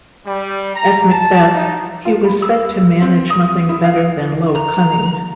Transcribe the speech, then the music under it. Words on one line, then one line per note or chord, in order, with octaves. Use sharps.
As Macbeth, he was said to manage nothing better than low cunning.
G3
A#5
A5
D#4
F4
B5
E6
C4
D#6
E4
F5
A#5